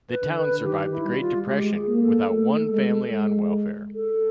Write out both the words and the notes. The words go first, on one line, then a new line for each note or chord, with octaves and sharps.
The town survived the Great Depression without one family on welfare.
B4
D3
B4
D#3 G4
E4
G3
F#4
F4
G#3 G4
G#4
G4
G#4
A#3
A4
A3
G#3
G#3
A4